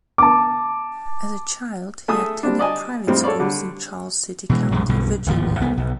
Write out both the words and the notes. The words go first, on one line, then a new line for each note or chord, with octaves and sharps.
As a child, he attended private schools in Charles City County, Virginia.
A5 D6
A3 G#4 E5 D#6
G3 C4 D4
D5 D#5 G#5 A5
F2 A2 G3 C4
A4 C#5 D5
D3 G3
B2 E3 G#3
A#1 F#2 F3 G#3
B1 G2 B2 D3
D1 G#1 D#2 F3
C2 B3
B1